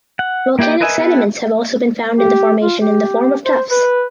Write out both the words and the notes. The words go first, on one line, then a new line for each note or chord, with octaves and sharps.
Volcanic sediments have also been found in the formation in the form of tuffs.
F#5
A#3 E4 G4 D5 G5
A#4 B4 D#5 E5 G#5
B3 E4 G4 A4 B4
G4
F4
G4
C5
B4